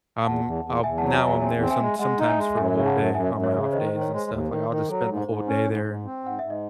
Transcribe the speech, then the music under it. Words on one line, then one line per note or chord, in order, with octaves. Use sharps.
um, um, now I'm there some sometimes for a whole day on my off days and stuff, like, I'll just spend the whole day there an
E2 F#5 A5
E2
E2
E2 E5 G#5
F#3 F#5 A5
E5 G#5
E2
E5 G#5
C4 E5 G#5
C4
E5 G#5
G#3
G#3 D#5 F#5
D#4
E5 G#5
G#3
F#2 E5 G#5
C#3
F#5 A5
F#2
F#2 E5 G#5
F#2
C#5 E5
C#3
C#5
D#3 C5 D#5
C5
D#3
C#5
G#3 C5
D#2
D#3
D#3
F#3 A4
G#2
C5
G#2
C#4
G#2
G#2
C4
G#2 F#5
G#2 E5
D#5